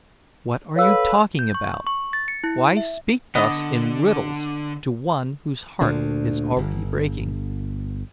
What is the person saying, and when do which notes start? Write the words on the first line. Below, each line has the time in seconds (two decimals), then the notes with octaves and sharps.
"What are you talking about--why speak thus in riddles to one whose heart is already breaking?"
0.76 A4 B4 C#5 F5 E6
1.39 G6
1.54 C#6
1.87 C#6
2.13 A6
2.28 C#7
2.44 E4
2.77 E5
3.35 D3 B3 D#5
5.81 D2 A#2 D3 D4
6.57 G1